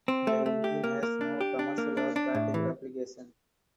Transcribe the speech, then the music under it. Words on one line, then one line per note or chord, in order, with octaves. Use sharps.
The engine has no commercial or practical application.
C4
A3
A3
G4
A#3
A#3
D4
G4
D4
A#3
D4
D4
A2
E3